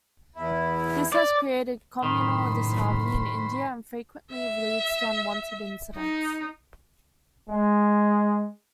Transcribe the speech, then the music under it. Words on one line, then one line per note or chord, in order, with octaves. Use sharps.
This has created communal disharmony in India and frequently leads to unwanted incidents.
E2 E4
D5
F#1 A2 D#3 C5 B5
E5
D#4
G#3